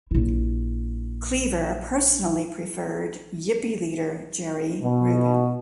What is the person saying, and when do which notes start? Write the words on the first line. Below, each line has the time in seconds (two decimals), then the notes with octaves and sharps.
Cleaver personally preferred Yippie leader Jerry Rubin.
0.11 A#1 E4
4.81 B2